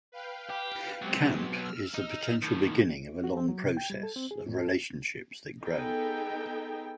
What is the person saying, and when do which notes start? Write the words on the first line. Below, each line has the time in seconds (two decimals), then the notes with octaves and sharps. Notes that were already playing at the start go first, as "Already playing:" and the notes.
Camp is the potential beginning of a long process, of relationships that grow.
0.12 B4 F5 G5
0.50 G4
1.02 F#3 G#3 B3 C4 G4
1.55 E6 F6
1.94 D#4
2.43 A2 D#3
3.24 F#4
3.37 C4
3.49 F#3
3.64 C3
3.77 G5
3.90 G3
4.03 A4
4.16 C4
4.31 G#4
4.48 A2
4.60 A4
5.62 B3 D#4 G#4 A4 G5